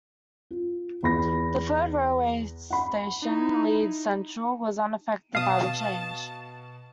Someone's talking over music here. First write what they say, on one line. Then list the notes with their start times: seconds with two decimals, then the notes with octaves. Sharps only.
The third railway station, Leeds Central, was unaffected by the change.
0.51 F4
1.03 E2 B5 A#6
2.70 F#5 B5
3.22 D#4 E4
5.35 B2 F5 A5 D#6